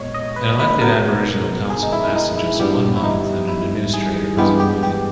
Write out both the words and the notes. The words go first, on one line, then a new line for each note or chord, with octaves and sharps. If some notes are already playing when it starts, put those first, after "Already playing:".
An elected Aboriginal council lasted just one month and an administrator was appointed.
Already playing: A#2 G#3 B3 C#5 D#5
D#5
B4
B4
B2 G#3 B3 A#4
G#4
D#4
E4
D#4
E4
G2 E3 G3 B3 G4
E4
D#4
E4
G#4
G2 E3 G#3 B3 G4
G4
G4